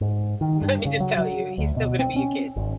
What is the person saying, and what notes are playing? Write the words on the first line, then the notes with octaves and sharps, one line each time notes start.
Let me just tell you, he's still gonna be your kid.
G#2
D#3
G2
C#3
F#3
F#3
D2
B2
C4
C#4
G#1